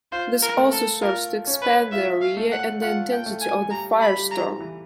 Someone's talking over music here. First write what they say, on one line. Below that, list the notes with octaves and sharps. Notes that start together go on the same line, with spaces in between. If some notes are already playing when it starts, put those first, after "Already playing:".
This also serves to expand the area and the intensity of the firestorm.
F4 C5
A#4
A3
A4
F4 A#4
C#4
B4
F4 E5
F5
A3
F#5
F4 F#5
G5
A3
G#5
G3 A#5
B5
G3
A#5
E3